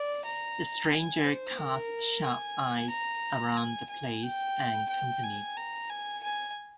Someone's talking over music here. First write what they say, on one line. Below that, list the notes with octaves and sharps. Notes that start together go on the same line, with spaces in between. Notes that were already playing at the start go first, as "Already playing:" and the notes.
The stranger cast sharp eyes around the place and company.
Already playing: D5
A#5
G#5
C5
A#4
G#5
A#5
G#5
G#5
G5
G5
G#5
A#5
G#5
G#5